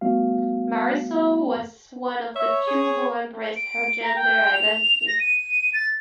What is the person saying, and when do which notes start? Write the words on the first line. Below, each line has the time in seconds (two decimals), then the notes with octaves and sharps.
Marisol was one of the few who embraced her gender identity.
0.01 G3 A3 B3 F#4 F5
2.36 C#5 E5
2.67 G#4
3.56 D7
4.03 A#5
4.16 G5
4.54 F7
5.07 A#6
5.20 D#7
5.74 A6